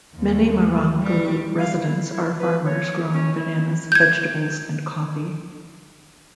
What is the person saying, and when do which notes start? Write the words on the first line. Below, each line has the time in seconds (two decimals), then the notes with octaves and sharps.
Many Marangu residents are farmers growing bananas, vegetables and coffee.
0.16 D#2
1.02 G3
1.59 F5
1.80 E4
2.10 E4
2.39 B4
2.65 C#5
3.13 C#4
3.35 E4
3.92 G6 G#6